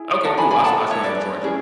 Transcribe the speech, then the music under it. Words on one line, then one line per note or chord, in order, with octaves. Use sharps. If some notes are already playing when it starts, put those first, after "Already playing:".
okay, cool I I stay in Georgia.
Already playing: E4 G#4
F#5 A5
G#5 B5
G#5 B5
D4 A4 F#5 A5
C#5 E5
B4 D5
C#4 E4 G#4